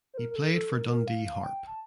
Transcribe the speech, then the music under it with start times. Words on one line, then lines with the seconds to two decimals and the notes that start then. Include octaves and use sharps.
He played for Dundee Harp.
0.14 C5
0.18 A#4
0.30 A#4
0.36 A4
0.54 A4
0.72 A#4
0.89 A#4
1.07 F5
1.25 F5
1.44 G5
1.67 A5